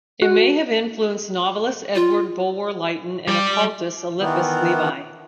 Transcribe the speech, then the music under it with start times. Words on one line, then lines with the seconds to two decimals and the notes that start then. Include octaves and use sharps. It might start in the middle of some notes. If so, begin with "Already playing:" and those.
It may have influenced novelist Edward Bulwer-Lytton and occultist Eliphas Levi.
0.22 F#4
1.95 F4
3.28 G3
4.20 D#3 E3 B3